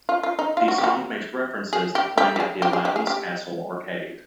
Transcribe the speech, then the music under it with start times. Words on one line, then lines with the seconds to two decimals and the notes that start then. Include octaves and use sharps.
The song makes references to playing at the Aladdin's Castle arcade.
0.09 F4
0.23 F4
0.39 D#4
0.57 F4
0.68 F#4
0.78 G4
0.84 F#4
1.73 G#4
1.95 G4
2.18 G4
2.36 G4
2.40 G#4
2.62 G4
2.73 G#4
2.85 G4
2.96 G#4
3.07 G4